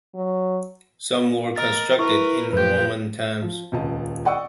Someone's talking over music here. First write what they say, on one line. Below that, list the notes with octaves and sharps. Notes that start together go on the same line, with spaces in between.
Some were constructed in Roman times.
F#3
A#4 D#5 A6
E4 A#4 B4 C#6
F#2 F3 G4 B4 G6
F3
D#1 C#2 D#5 A5
D5 D#5 F#5 G5 C#6 E6